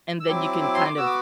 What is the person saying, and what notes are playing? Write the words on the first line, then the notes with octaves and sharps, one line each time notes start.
and then, you can kind of
E6
F#3 C4 E4 D6
D6
C6
D6
B3 F#4 E6
D6